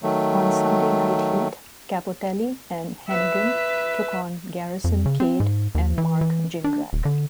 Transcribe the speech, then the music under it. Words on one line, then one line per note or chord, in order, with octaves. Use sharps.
On "Sunday Night Heat" Cappotelli and Hennigan took on Garrison Cade and Mark Jindrak.
D#3 F#3 A3
B4 E5
F2
C#3
C4
G#2
D#2
E3
E3
D4
D#1
D3